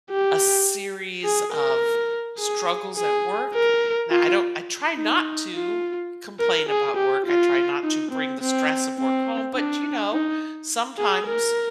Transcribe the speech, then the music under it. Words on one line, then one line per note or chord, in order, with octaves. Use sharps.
a series of struggles at work, now I don't I try not to complain about work, I try not to bring the stress of work home, but, you know, sometimes
G4
G#4
A#4
G#4
G#4
A#4
F4
D#4
F4
A#4
G#4
G4
F4
D#4
C4
C4
C4
D4
D#4
G#4
A#4